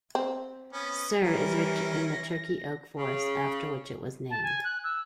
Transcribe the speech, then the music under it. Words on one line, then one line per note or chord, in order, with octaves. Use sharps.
Cer is rich in the Turkey oak forests after which it was named.
C4
B3 C#4
E3 G3 C#4 A#4
A#6
C#3
A5
G#5
F#6
E6